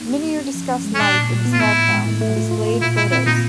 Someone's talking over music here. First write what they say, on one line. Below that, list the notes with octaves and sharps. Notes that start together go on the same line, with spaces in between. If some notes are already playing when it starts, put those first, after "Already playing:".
Minnier discussed life in the small town and displayed photos.
Already playing: A#3 D#4
G4
A#3
C#4
F3
C#4
G#3
C#4
A#2 D4
A#2
A#2
B3
F4
A2 E4
A2
G#3
A2
A3
F4
F4
F4
A#2 E4
A#2 E4
C4 E4
A#2 D#4